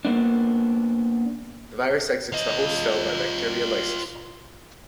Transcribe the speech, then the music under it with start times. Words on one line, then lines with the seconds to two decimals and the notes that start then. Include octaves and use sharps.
The virus exits the host cell by bacteria lysis.
0.05 A#3 B3 D4
2.33 F4 D#5